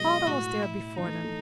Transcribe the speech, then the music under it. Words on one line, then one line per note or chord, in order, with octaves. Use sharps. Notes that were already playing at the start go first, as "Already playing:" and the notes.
Father was there before them.
Already playing: B2 F#3 G#3 D#5
A2 F#4
E4
E3 D#4
A3
A3